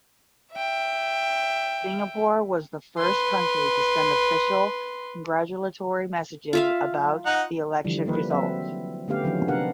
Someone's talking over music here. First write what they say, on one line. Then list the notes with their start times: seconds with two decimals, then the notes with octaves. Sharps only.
Singapore was the first country to send official congratulatory messages about the election results.
0.54 E5 G5
2.99 B4 C6
6.53 F4 E5 F5
7.26 D#4 F#5
7.85 D3 E3 F3 G3
8.05 F3 G3 A#3 B4
8.30 F#3 C4 E5
9.08 D3 A3 B3 C#4 G4 F5
9.24 D3 D#3 F3 F#3 C#4
9.48 C3 B3 D4 A#4 F5 F#5